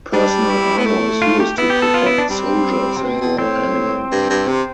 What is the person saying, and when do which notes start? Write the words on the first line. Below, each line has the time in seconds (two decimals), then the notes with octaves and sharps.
Personal armour is used to protect soldiers and war animals.
0.13 G3 D4
0.50 E4
0.78 B3
0.86 A3
1.22 F4
1.40 G4
1.58 B3 E4
1.70 G4
1.82 A4
1.94 F4
2.06 E4
2.18 D4
2.30 G3 C4
2.97 C3
3.03 B2
3.21 B2
3.39 A2 C4
4.12 G2
4.30 G2
4.48 C3